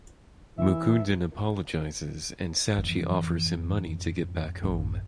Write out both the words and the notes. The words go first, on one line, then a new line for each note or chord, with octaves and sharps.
Mukundan apologizes and Sachi offers him money to get back home.
E3 E5
F2 G#2 C#3 E3
A1 F#2